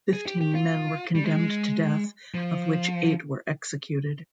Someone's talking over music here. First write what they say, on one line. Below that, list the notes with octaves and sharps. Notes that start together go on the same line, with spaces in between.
Fifteen men were condemned to death of which eight were executed.
G#4
G4
G4
F4
G3
G#3
F3